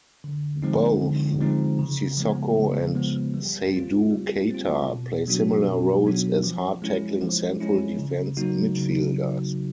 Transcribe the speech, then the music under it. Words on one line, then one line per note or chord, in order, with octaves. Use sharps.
Both Sissoko and Seydou Keita play similar roles as hard-tackling central defensive midfielders.
D3
F3 G#3 C4 D#4
D3
F3 G#3 C4 D#4
C#3
F3 G#3 B3
C#3
F3 G#3 B3
G3
C4 F4
G3
C4 F4
B2
F#3 B3 D4 F#4
B2
F#3 B3 D4 F#4
F3
G#3 C#4 E4
F3
G#3 C#4 E4
C#3
F#3 A#3 D#4 F#4
C#3